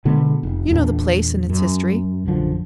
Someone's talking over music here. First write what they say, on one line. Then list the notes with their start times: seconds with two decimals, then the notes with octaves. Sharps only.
You know the place and its history.
0.05 B2 D3 G#3 B3
0.43 F1
0.71 E2 A#2 A3 D4
1.50 F#2
2.26 A#1 F#2 D3 F3